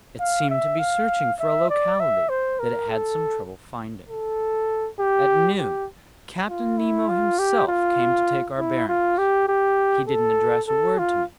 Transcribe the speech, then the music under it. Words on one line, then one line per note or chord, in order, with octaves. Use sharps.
It seemed to be searching for a locality that it had some trouble finding. At noon Captain Nemo himself came to take our bearings. He didn't address a word to me.
F5
E5
F5
E5
D5
E5
C5
A#4
A4
A4
G4
G4
F4
E4
F4
G4
F4
E4
F4
G4
G4
A4
A4
F4